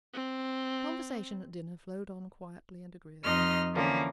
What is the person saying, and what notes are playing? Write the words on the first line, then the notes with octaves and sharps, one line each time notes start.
The conversation at dinner flowed on quietly and agreeably.
C4
F2 D#4 D#5 C6 F6
D3 E3 F3 A#3 C#4